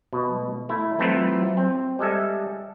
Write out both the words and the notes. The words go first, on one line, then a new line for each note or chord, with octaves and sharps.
Oh, um
B2
A3 E4
E3 A3 C4 E4 F4 A4
C4
G3 G#3 A4 E5